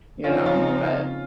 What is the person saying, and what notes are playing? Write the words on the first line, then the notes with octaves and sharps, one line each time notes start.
You know, but
C#3 F3 C4 C#4 D#4 F4
C#4 F4